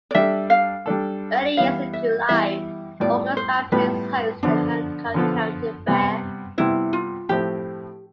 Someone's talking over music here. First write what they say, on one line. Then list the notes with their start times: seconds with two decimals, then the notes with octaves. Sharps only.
Every year in July, Augusta plays host to the Hancock County Fair.
0.11 D5
0.15 G3 D4 A4 E5
0.50 F5
0.86 G3 D4 A4
1.57 E3 G3 B3 E4 F5
1.93 E5
2.29 E3 G3 B3 E4 E5
3.00 A2 G3 B3 F4 D5
3.37 C5
3.72 A2 G3 B3 F4 B4
4.43 D3 F3 B3 D4 F4 A4
5.14 D3 F3 B3 F4 A4
5.87 C3 G3 B3
6.58 C3 G3 B3 E4
6.93 F4
7.29 A2 F3 A3 C4 E4 G4